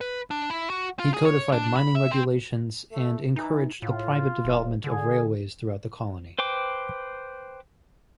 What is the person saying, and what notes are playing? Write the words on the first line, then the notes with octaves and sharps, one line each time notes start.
He codified mining regulations and encouraged the private development of railways throughout the colony.
B4
D4
E4
F#4
F4
G#4
C#5
D4
B5
E5
C4
A3
E3 D#4
A2 F4
D1
D3 G#4
B4 C5 G5 D6